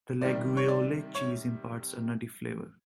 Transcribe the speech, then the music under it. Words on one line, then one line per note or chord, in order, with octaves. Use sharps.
The Laguiole cheese imparts a nutty flavour.
C3 D#3 G3 D5
C#5
D5
C#5